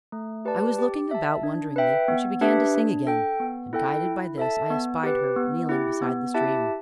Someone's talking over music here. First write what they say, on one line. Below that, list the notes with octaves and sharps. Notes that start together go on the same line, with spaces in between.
I was looking about wonderingly, when she began to sing again, and, guided by this, I espied her kneeling beside the stream.
A3
G4 B4 D5 A5
G4
E5 A5
D4
B4 E5 G5
B3
D4 G4 B4 E5
D4
A4 G5
B3
E4 A4 G5
E4
A4 E5 A5
B3
G4 B4
B3
E4 G4
B3
E4 G4 E5 A5